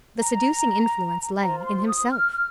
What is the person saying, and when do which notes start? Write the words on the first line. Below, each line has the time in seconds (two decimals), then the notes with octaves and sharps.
The seducing influence lay in himself.
0.20 A#5
1.41 F4 C5 A#5
1.60 A#5
1.64 C6
1.87 D#6
2.10 F6
2.33 F6